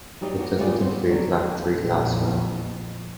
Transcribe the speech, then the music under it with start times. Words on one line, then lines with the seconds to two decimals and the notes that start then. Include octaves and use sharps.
It does not include laboratory glassware.
0.21 F#3 G3 D#4 G4
0.38 F#4 G4
0.58 G3 C#4 F4 G#4 D5
0.80 B3 C4 C5
1.09 B2 F#3 G3 D4
1.71 A#1 F2